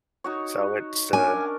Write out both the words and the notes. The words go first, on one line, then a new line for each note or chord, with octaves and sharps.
So it's uh,
D#4 F#4 C#5
C#4 D4 A#4 G#5